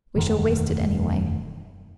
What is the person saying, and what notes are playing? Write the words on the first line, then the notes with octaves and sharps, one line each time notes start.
We shall waste it anyway....
E1 F#2 D#3 A3